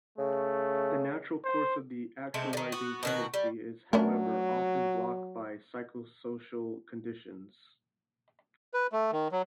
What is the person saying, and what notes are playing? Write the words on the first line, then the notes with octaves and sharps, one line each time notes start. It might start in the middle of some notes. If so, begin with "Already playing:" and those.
The natural course of the actualising tendency is, however, often blocked by psychosocial conditions.
C#3 A3
C5
C3 G#3 A3 C4
D3 D#3
B3 F#4
B2 D#3 F#4
G3
F#3 A3 C#4 D4 A#4
B4
A3
D#3
F#3